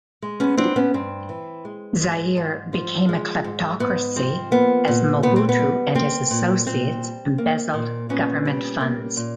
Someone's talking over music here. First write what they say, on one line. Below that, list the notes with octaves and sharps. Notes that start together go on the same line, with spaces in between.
Zaire became a "kleptocracy" as Mobutu and his associates embezzled government funds.
G#3
B3 C#4
B3 C4 D4
B3 C#4
G2 C4
E3
G#3
G#2
G#2
F3
G#3
G#2
G#2 B3
F3 C4
A#3 B3
A#2
A#2 B3
C4
B3
G3
A#3 C4
A#2
A#2 C4
G3
A#3
A#2
A#2 B3 C#4
G3
A#3
A#2